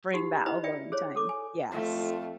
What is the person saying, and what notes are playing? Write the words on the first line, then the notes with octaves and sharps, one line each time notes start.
bring that alone time. Yes.
D#4 F#4 G4 F#5
E4 B4 C5 D#5 A#5 B5
D5 E5 G5
G#4 C5 C#5
A4 D6
G#5
F2 A3 F4